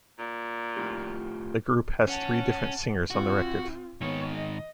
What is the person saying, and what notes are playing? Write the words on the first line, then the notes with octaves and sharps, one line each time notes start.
The group has three different singers on the record.
A#2
A2 F4 G4
C#4 F#5 A5
C4 F4 F#4
G#2 D#3 B3 C#5
D#5